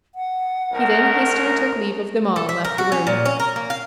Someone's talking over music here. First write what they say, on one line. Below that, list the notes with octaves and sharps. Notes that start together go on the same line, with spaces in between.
He then hastily took leave of them all and left the room.
F#5
C2 A3 A#4
A4
E5
A#4
F#4
C#4
A#2
C#4
A#4
A#3
F5